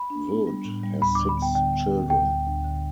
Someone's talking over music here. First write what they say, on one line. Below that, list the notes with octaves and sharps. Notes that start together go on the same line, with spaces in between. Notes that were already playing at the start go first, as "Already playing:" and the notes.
Wood has six children.
Already playing: B5
D4
B3
G3
A2
G3
D2 B5
D3 D6
B5
B3 G5
D3 G5
B3
D3
D2 G5
D2
D2
D3